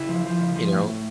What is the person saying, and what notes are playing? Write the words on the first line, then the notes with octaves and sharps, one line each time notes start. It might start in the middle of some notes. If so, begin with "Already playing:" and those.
you know?
Already playing: C#3 E4
F3
F3
C#3
F3
A2
A2